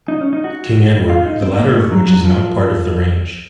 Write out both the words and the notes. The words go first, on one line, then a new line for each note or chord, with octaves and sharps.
King Edward, the latter of which is not part of the range.
D#4
C#4
D#4
F#4
F4
D#4
C4
A#3
A3
F#3
F#3
F3